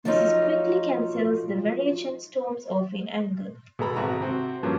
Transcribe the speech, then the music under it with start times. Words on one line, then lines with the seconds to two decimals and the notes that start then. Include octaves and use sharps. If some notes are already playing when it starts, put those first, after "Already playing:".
Mrs. Quickly cancels the marriage and storms off in anger.
0.05 F3 F#3 A3 C#4 D#4 F4
3.79 B2 G#3 A4 A#5 B5
3.96 G#1 E3 F#4 A#5
4.20 C3 C4 F#4
4.63 G2 F3 F#3 A#3 C4 C#4